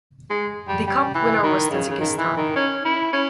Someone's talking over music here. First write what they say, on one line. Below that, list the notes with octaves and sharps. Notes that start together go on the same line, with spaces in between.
The cup winner was Tajikistan.
G#3
G3
G3
E3
D#3
C#3
C#3
D#3
E3
D#3
C#4
E4
C#4